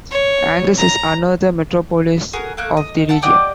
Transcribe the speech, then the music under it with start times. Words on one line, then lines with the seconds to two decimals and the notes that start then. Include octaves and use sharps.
Angers is another metropolis of the region.
0.11 C#5
0.78 A#5
2.33 F#4 G#4 A#4
2.57 A3 A#3 F#6
2.77 D#5
3.09 E5 F#5 A5
3.22 G4 D5 D#5 F#5